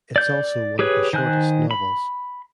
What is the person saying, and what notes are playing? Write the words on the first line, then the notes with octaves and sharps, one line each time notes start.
It's also one of his shortest novels.
D5 G6
G4 G#4 B4 C#5
D#3 C5 G#5 F#6
B5